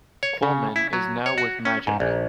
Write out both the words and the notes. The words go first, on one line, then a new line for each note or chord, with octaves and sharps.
Colman is now with Magic.
C#5
C#3
E4
F#3
C#5
F#4
C#4
G#2
A#1